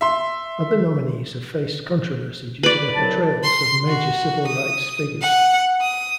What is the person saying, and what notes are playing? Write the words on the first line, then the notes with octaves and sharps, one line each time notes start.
Other nominees have faced controversy due to their portrayals of major civil rights figures.
E5 C6
B4 D5
C2 F#3 A5
C6
F#4
D#6
F#5
D#6